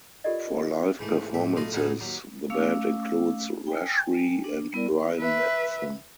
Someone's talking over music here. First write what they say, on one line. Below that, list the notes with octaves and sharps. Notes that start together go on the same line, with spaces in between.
For live performances, the band includes Rashree and Brian Matson.
F4 G4 A4 A#4 D5 D#5
G#2 E3 A3
A1 E5
B1 A3 F4 D#5 C6
E2 A2 D#4 F#4 G#4 A4
D#2 F#3
A3 C#4 F5 D6 E6
G5 G#5
D4
G3 B3 E4 A#4 D5
B4 E5